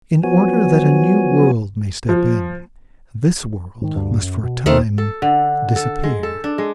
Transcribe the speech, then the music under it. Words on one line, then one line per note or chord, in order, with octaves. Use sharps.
In order that a new world may step in, this world must for a time disappear.
F3 F#3 B3 F#4 G#5
F3
G#2 D#3
D2 G2 D4
F#2
B2
D#2 D#3 A3 C5
A4
D3
A4
G#3
A4
D4
G#3